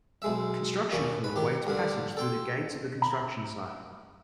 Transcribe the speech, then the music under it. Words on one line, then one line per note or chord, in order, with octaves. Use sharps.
Construction crew awaits passage through the gates of a construction site.
B1 G#3 E5
D#2 A#2 C#6
B4
D#3 G4
G2 D3 G3
A4 G5 C6
A#5 B5